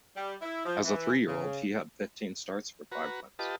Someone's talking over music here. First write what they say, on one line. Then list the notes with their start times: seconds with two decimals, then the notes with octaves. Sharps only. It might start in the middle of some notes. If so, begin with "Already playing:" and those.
As a three-year-old he had fifteen starts for five wins.
0.15 G3
0.42 E4
0.65 F3
0.84 E3
1.27 C#3
2.92 F#4 B4 A#5
3.39 F4 G4 B4 D#5 A5